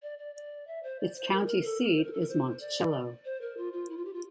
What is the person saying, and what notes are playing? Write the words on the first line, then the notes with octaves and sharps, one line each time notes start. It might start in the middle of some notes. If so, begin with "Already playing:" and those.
Its county seat is Monticello.
D5
D5
D5
E5
C5
D5
C5
A#4
A#4
A4
A#4
C5
A#4
A4
A#4
C5
D5
C5
A#4
F4
F4
E4
F4
G4
F4